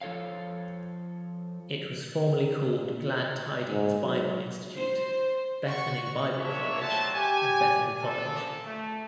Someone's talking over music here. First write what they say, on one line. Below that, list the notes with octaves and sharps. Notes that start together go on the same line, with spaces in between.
It was formerly called Glad Tidings Bible Institute, Bethany Bible College and Bethany College.
F3 F4 A4 C#5 F5
G#2
F#3
C5
F#4 C#6
A#2 D4 C#5 E5
F#3 A3 C4 F4 F#4 A5
G4 G#5
A#1 F#2 F3 D4 A4
A3